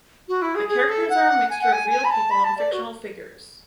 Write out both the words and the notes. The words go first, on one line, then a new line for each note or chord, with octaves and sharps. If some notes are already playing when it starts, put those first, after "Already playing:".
The characters are a mixture of real people and fictional figures.
F#4
E4
G#4
G#4
A4
F#5
G#5
F#5
G#5
G#5
B5
A5
B5
A5
D5
F#4